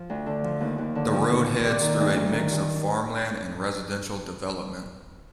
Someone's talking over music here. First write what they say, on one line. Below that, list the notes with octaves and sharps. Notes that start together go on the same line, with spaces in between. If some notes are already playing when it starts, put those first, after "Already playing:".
The road heads through a mix of farmland and residential development.
Already playing: F3
D2
D3
F3
D#2
D#2
D3
F3
D#2
D#2
C3 D5
D#3
D2
D2
D#3
G2